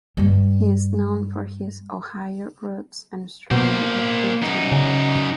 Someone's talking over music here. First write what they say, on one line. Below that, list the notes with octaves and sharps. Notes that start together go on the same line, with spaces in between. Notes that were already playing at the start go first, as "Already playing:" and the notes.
He is known for his Ohio roots and strong recruiting.
G2 G3
B2 A#3 C5
F#2 D#4
C#3